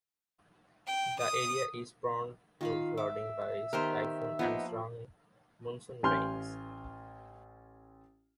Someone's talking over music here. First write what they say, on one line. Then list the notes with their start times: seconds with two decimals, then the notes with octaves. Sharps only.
The area is prone to flooding by typhoons and strong monsoon rains.
0.87 G5
1.18 D#6
2.61 D#3 F4 F5 B5
2.97 E5 D6
3.73 D#3 B3 G4 A#4 C5
4.39 F3 A#3 B3 D#4
6.03 A1 G#5 C6 F6 G6